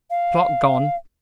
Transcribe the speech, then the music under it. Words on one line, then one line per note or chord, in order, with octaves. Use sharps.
Clock gone.
F5